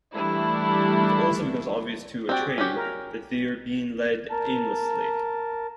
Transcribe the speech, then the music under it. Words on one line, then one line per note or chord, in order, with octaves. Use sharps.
It also becomes obvious to Atreyu that they are being led aimlessly.
E3 G3 A3 D4 E4
C4 F#4 G4 D5 G5
G#4
C#4 F#4 G4
A#4
A#4 A5